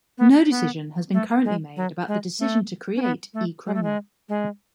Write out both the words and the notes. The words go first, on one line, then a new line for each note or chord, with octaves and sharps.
No decision has been currently made about the decision to create "e-krona".
B3
B3
A3
G#3
F#3
G#3
A3
C#4
B3
A3
G#3
A3
G#3
G#3